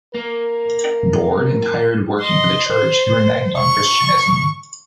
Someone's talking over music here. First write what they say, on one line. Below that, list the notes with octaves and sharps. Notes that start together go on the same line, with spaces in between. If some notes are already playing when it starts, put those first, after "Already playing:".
Bored and tired of working for the church, he reneged on Christianism.
A#3 A#4
D#5 C6
C5
C#6